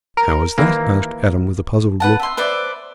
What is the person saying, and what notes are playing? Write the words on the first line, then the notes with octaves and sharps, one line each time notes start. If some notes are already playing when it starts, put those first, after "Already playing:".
"How is that?" asked Adam with a puzzled look.
A#4
D#2 E3 A#3
B4 F#5 A5
E5 C6
B4 C5 D5 E5